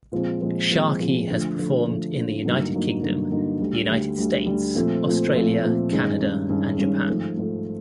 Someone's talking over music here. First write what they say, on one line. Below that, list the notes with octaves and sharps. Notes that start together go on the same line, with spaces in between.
Sharkey has performed in the United Kingdom, the United States, Australia, Canada, and Japan.
A#2 F3 G#3 C4
A#2 F3 G#3 C4
A#2 F3 G#3 C4
A#2 F3 G#3 C4
D3 F3 A3
D3 F3 A3
D3 F3 A3
D3 F3 A3
G2 D3 F#3 A#3 D#4
G2 D3 F#3 A#3 D#4
G2 D3 F#3 A#3 D#4
G2 D3 F#3 A#3 D#4
D2 D3 G3
D2 D3 G3
D2 D3 G3
D2 D3 G3
A#2 F3 A3 C4
A#2 F3 A3 C4
A#2 F3 A3 C4
A#2 F3 A3 C4
G2 D#3 G#3 C#4
G2 D#3 G#3 C#4
G2 D#3 G#3 C#4
G2 D#3 G#3 C#4
G#2 F3 A3
G#2 F3 A3